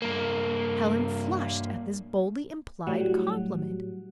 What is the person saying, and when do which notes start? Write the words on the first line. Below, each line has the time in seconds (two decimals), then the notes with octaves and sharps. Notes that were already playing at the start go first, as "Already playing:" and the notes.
Helen flushed at this boldly implied compliment.
0.02 G2 A#3
2.87 A2 F#3 G3 F#5